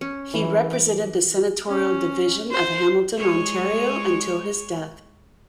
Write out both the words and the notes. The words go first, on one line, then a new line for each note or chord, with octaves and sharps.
He represented the senatorial division of Hamilton, Ontario, until his death.
C#4
E3
D6
C#4
C5
G#3 C#5